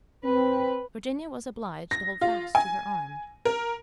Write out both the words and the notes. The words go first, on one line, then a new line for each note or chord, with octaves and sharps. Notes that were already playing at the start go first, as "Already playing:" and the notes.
Virginia was obliged to hold fast to her arm.
C4 B4
A#6
F4
G#5
A#4